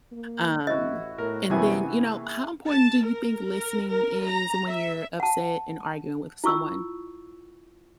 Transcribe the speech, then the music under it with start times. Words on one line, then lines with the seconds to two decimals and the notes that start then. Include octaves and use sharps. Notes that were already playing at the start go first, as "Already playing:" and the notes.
Um, and then you know, how important do you think listening is when you're upset and arguing with someone?
0.12 A#3
0.67 A1 E4 F#4 D#5
1.18 A2 A#4
1.50 F#2 C3 E3 A3 B3 G#4 G#5
1.95 A#3
2.69 A5
3.03 A#4
3.49 A#4
3.90 A#4
4.25 A#5
4.67 E5
5.20 F#5 A5
6.44 E4 F4 C#6 E6